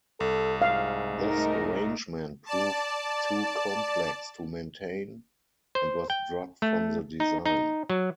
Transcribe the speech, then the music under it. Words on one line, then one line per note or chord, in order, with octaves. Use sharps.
This arrangement proved too complex to maintain and was dropped from the design.
C2 A4
G#2 F5
A3 D#4 A#4
D5 A5
C5
G5
A3
D#4
D#4
F#3